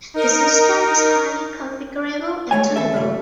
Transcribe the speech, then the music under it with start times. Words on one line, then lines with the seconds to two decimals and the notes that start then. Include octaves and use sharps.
The system is highly configurable and tunable.
0.14 D#4 A#4
2.51 G#3 A3 C#5 G#5
2.76 D#2 A4 E5
2.93 C#2 G2 A3